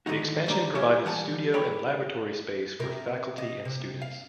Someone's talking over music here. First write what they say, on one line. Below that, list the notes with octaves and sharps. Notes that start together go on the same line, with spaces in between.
The expansion provided studio and laboratory space for faculty and students.
A2 D3 D#3 D#4 F#4
D#2 G#2 G3 D4 D5 A#5
E4 G4 C#5 E5 F5 G#5
E3 G3 F#5 G#5 A5
C#5 G5 B5
C3 A#4
D#5
C3
F5